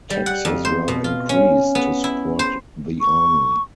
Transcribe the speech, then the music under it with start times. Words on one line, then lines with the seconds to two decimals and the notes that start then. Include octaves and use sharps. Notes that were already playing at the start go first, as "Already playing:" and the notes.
Taxes were increased to support the army.
0.10 G3
0.26 F#5
0.45 F2
0.65 C5
0.88 B2
1.04 F4
1.29 C#4
1.75 B3
2.04 E4
2.39 C5
3.01 C#6